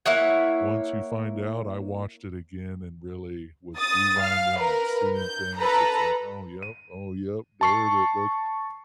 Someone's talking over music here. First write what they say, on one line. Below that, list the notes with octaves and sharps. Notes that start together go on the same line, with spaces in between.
once you find out, I watched it again and really was rewinding and seeing things, it's, like, "Oh, yup, oh, yup, there it is, look,"
A#3 E4 C#5 F#5
D#6 A6
F5
A#4 B4
G6
A4 B4 A#5
D#7
A5 C#6 C7